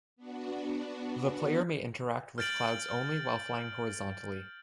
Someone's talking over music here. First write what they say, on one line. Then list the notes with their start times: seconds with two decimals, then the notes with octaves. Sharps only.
The player may interact with clouds only while flying horizontally.
0.16 B3 D4 F#4
2.38 F6 G6 A6 D7 F#7